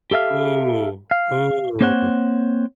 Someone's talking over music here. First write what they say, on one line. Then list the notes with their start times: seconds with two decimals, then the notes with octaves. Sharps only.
Ooh. Ooh.
0.11 G4 A4 E5 F5
1.11 F5
1.81 A#3 C4 C5 C#5 F#5